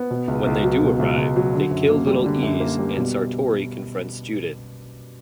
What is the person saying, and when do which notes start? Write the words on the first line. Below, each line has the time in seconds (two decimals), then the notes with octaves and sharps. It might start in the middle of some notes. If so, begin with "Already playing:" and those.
When they do arrive, they kill Little Ease and Sartori confronts Judith.
Already playing: B3
0.11 B2
0.28 C#2
0.47 C#2
0.64 F#3
0.82 B2
0.99 C#2
1.17 C#2
1.36 F#3
1.54 D3
1.71 F#2
1.90 A#3
2.07 G3
2.26 D3
2.43 F#2
2.60 A#3
2.79 G3
2.97 B2